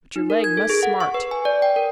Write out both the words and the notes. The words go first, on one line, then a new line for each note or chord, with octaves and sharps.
"But your leg must smart."
D#4
A#4
G#6
A4
G#4
F#5
C#6
B4
G#5
D5
G5
A#4